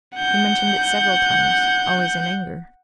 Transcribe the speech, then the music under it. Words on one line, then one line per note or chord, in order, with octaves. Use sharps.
"He mentioned it several times, always in anger."
F#5 G6